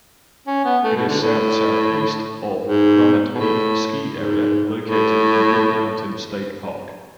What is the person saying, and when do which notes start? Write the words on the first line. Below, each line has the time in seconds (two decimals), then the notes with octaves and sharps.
It is south-southeast of Granite Peak Ski Area, located in Rib Mountain State Park.
0.47 C#4
0.65 B3
0.83 A3
0.96 B2
1.08 D3
1.20 A2
2.66 G#2
3.35 B2
3.39 A2
4.13 G#2
4.86 A2